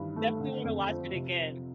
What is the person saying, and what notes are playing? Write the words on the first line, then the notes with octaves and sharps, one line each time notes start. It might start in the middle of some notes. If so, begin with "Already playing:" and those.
defintietly wanna watch it again.
Already playing: G2 D#3 E3
A3
D3
F2
F3
C3